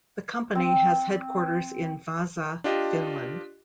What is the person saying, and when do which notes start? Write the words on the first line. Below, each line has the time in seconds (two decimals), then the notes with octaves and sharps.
The company has headquarters in Vaasa, Finland.
0.55 C4
2.64 D4 F4 G4 D#5